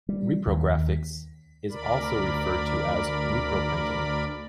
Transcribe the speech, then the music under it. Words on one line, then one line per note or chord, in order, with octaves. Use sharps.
Reprographics is also referred to as "Reproprinting".
G3
D#2
D2 A#4 D5 B5